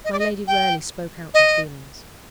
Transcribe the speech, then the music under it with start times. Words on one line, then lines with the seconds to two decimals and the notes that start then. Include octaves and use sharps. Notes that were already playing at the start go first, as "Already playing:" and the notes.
My lady rarely spoke out her feelings.
0.05 D#5
0.13 D5
0.19 D#5
0.48 G5
1.34 D#5